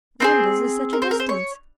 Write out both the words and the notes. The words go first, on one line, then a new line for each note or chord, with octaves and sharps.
Randalls is such a distance.
C4 D#4 G#4 C5
A#4
C5
A#4
C5
C#5